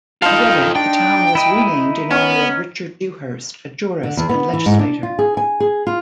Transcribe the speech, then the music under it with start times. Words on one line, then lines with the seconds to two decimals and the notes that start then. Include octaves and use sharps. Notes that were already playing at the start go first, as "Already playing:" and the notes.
However, the town was renamed in honor of Richard Dewhurst, a jurist and legislator.
0.22 D#4 F4 A4 F5 C6
0.76 D4 G5
1.35 E4 D#5
2.11 B3 C#4
4.03 D3
4.17 E2
4.29 B3
4.53 E3
4.66 G#2
4.79 D4
5.03 F4
5.19 G#4
5.37 G#5
5.60 G#4
5.87 F4